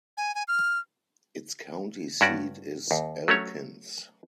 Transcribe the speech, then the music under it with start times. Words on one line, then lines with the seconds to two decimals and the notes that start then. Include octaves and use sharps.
Its county seat is Elkins.
0.17 G#5
0.35 G#5
0.48 F6
2.21 G2 C#4 F#4 D5
2.91 D#2
3.28 F#3 A3 C#4 C#5